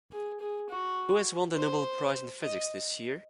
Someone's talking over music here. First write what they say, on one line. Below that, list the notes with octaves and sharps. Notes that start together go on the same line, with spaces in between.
Who has won the Nobel Prize in Physics this year?
G#4
G#4
F#4
C5
D#5